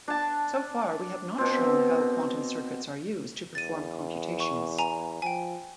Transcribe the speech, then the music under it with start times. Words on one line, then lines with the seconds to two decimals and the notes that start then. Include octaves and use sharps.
So far we have not shown how quantum circuits are used to perform computations.
0.08 D4 A5
1.38 B2 C4
3.55 E2 A6 D#7
4.40 C#6
4.79 G#5 A#5 F7
5.22 F3 G5 G#5